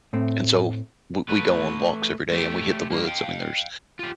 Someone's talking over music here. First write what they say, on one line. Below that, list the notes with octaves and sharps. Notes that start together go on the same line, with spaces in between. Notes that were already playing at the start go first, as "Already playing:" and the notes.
and so we we go on walks every day, and we hit the woods, I mean, there's
A2 A3 C4
A3 B4
A3 G4
G2 A#3
F5 G5
F4 G4